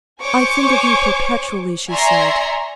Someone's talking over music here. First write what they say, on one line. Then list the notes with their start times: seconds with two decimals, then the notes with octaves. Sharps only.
"I think of you perpetually," she said.
0.22 C5 C#5 G#5 C#6 D6
1.90 D5 E5 G#5 A#5 C6 C#6